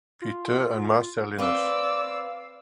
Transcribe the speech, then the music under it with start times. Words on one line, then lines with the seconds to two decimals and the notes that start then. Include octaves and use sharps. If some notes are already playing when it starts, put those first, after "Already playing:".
Peter and Marcellinus.
0.22 F4
1.38 C4 B4 D5 F5 E6